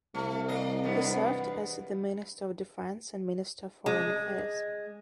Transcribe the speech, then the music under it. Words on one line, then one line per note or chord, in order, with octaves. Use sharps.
He served as the Minister of Defence and Minister of Foreign Affairs.
C2 A3
A#3 D#5
E2 G2 B3
G#3